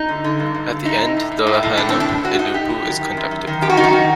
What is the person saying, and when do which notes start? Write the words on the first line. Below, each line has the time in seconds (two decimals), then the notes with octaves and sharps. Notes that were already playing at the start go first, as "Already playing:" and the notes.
At the end the Vahanam eduppu is conducted.
Already playing: D#4
0.09 D3
0.24 D3
0.40 G2
0.55 G2
0.71 D3
0.85 A2 D#4
1.00 A2
1.17 A2
1.32 A2
1.47 A2
1.63 A2
1.77 A2 D4
1.89 C4
1.93 A2
2.00 D4
2.09 A2
2.23 A2 F#4
2.39 A2 D#4
2.54 A2 G4
2.70 F#2
2.86 D#3
3.01 D#3
3.17 F#2
3.31 F#2
3.47 D#3
3.62 F#2 G4
3.70 F#4
3.77 D#3 D#4
3.84 F#4
3.93 D#3